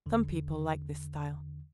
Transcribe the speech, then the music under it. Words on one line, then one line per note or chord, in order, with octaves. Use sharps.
Some people like this style.
E2 D3